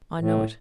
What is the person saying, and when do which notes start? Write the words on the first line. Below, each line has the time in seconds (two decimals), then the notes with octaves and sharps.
I know it.
0.20 A2